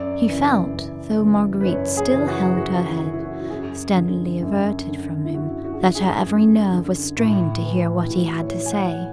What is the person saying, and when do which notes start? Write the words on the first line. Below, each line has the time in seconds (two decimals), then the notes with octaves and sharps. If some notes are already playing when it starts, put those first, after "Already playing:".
He felt, though Marguerite still held her head steadily averted from him, that her every nerve was strained to hear what he had to say.
Already playing: F#2 D5
0.28 C#3 E3
0.73 F#2
1.20 C#3 E3
1.61 B4
1.65 F#2 C#5
1.97 G#4
2.12 C#3 E3
2.28 F#4
2.57 F#2 F#4
2.89 E4
3.04 C#3 E3
3.13 E4
3.19 F#4
3.41 F#4
3.50 F#2 G#4
3.96 D3
4.43 F#2
4.88 D3
5.25 E4
5.34 F#2 F#4
5.64 F#4
5.73 G#4
5.80 D3 F#4
5.95 G#4
6.26 F#2
6.72 D3
7.18 A2
7.65 E3
8.03 E4
8.11 A2 F#4
8.42 C#5
8.57 E3
8.66 G#5
8.72 F#5